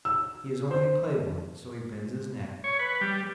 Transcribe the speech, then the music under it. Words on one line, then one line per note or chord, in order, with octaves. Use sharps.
He is only a clay-born; so he bends his neck.
E6
C5
C#5
B4
G3